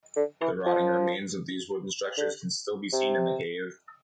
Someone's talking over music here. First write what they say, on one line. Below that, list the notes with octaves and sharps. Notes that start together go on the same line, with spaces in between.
The rotting remains of these wooden structures can still be seen in the cave.
D3
E3
F3
D3
C3